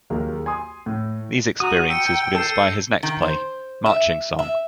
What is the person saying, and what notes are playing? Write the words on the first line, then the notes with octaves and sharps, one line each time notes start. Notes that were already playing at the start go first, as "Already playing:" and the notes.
These experiences would inspire his next play, "Marching Song".
D#2 F#3 G#3 A#3
G#5 C6 D#6
A2
F#4 A#5 D#6 D#7
G5 E6 C#7
A4 A5 E6 G6 C7
D#3
C5
E5
E5